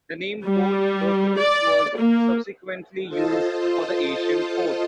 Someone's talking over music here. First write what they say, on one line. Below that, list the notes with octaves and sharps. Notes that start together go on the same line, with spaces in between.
The name Port Hercules was subsequently used for the ancient port.
G3
D5
A#3
F4 A4 C5 D#5 A5